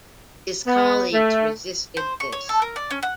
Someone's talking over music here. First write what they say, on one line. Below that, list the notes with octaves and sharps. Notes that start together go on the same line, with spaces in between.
His colleagues resisted this.
B3
A3
C5
C#6
C#5
A4
A#4
D5
C#4
F#5